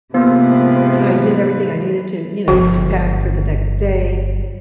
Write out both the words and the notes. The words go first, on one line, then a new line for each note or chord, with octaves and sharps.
I did everything I needed to you know, to pack for the next day
G#2 C3 F3 A#3 B3 B4
G1 D3 F3 F#4